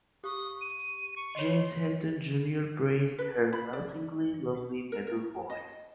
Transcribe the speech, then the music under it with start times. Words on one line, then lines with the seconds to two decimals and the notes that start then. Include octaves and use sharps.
James Hinton, Junior praised her "meltingly lovely middle voice".
0.24 G4 C#6 D#6
0.61 D#7
1.16 C#6
1.35 C#5 D#5 C6
3.19 B4
3.53 B5
3.73 D5
4.92 A#4
5.07 A#4
5.50 D#5